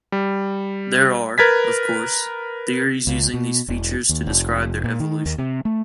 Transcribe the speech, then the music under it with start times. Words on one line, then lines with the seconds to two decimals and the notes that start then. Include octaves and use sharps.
There are, of course, theories using these features to describe their evolution.
0.12 G3
1.38 A#4 B4 G#6 A6 B6
3.07 C#2
3.34 B2
3.68 E1
4.09 D#2
4.27 F1
4.84 A#2
5.00 D#3
5.26 D#2
5.38 C3
5.65 A3